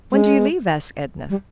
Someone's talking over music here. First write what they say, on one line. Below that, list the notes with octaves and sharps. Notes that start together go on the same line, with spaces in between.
"When do you leave?" asked Edna.
G#3
G3